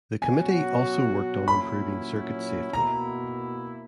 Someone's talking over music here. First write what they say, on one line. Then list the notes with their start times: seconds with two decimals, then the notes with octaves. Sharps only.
The committee also worked on improving circuit safety.
0.22 B2 F#3 C#4 F#4 G#5
1.48 A#2 F#3 C#4 E4 B5
2.73 B2 A#3 E4 A#5